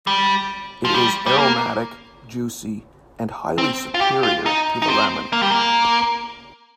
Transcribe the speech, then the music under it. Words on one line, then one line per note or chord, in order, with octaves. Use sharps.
It is aromatic, juicy, and highly superior to the lemon.
G3
F3
G3
G3
A#3
C4
F4
G4
F4
D#4
D#4
C4
A#3
G3
A#3